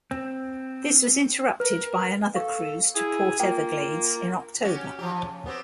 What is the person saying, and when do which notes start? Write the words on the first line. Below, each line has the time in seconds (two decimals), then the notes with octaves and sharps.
This was interrupted by another cruise to Port Everglades in October.
0.11 C4
1.60 A#4 B4
2.34 A4 F5 C#6
2.95 E4 G#4
3.40 A#3 F4 G5
4.64 C#4 F#4 G4
4.99 F3 F#3 G4
5.11 F3
5.24 C#3
5.46 B3 C4 G4